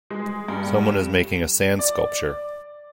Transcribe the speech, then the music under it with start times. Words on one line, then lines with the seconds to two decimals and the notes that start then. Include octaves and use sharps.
Someone is making a sand sculpture.
0.10 G#3
0.48 G2
0.86 E7
1.79 D5